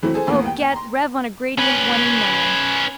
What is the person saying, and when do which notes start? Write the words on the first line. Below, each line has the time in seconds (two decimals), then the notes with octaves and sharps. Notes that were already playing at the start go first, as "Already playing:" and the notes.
O, get, rev on a gradient one in nine.
0.03 E3 F#3 A3 C4 E4
0.14 G#4 A4 C5 G#5
0.27 D#2 A2 E3 A#3 B3
0.46 G5
0.60 G5
0.72 A#5 C6
1.58 C#4 B4